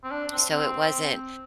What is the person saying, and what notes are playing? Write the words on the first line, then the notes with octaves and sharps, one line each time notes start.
So, it wasn't
C4
D4
C4
C4